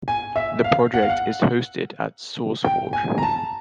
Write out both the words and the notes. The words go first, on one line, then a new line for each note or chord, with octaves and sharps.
The project is hosted at Sourceforge.
G#5
E5
F5
F#5
F5
F#5
G5
G#5
A#5
A5